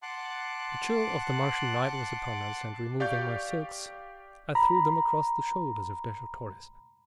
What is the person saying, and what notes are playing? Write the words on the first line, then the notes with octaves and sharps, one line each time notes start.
The chill of the Martian night was upon us, and removing my silks I threw them across the shoulders of Dejah Thoris.
F#5 A5 C6 D6 F#6
G4 D5 F5 G5 C#6 G6
A#5 B5